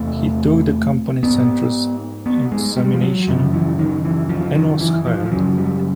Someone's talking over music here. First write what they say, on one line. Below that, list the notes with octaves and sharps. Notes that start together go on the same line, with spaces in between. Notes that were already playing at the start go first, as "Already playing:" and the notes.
He took the company's entrance examination, and was hired.
Already playing: E2 C3 A3
G#2 B3
B3
G#3
G3
F3
F#3
F#2 C#3 F3
E3
D#3
E3
F3
D#3
E3
F3
F3
F#2 C#3 F#3
G3